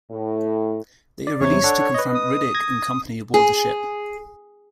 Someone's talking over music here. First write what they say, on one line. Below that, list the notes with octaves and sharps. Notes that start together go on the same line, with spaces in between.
They are released to confront Riddick and company aboard the ship.
A2
D5
E2 C3 C#5
D4 A4 F#5
B4 D#5
D#6
G#6 A#6
G#4